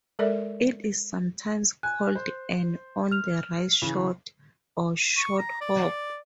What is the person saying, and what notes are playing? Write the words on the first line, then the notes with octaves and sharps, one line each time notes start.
It is sometimes called an "on the rise shot", or "short hop".
G#3 A4 A#4 D5 E5
G#5 F#6
C5
F6 F7
C#3 E3
C#6
A#5
D5